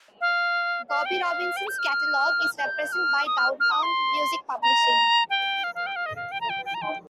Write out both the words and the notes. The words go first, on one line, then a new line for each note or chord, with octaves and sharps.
Bobby Robinson's catalog is represented by Downtown Music Publishing.
F5
F5
G5
F5
G5
G6
F6
G6
F6
D#6
F6
F6
D#6
C6
A#5
G5
F5
F5
G5
F5
D#5
F5
G5
A#5
G5
G5
A#5
G5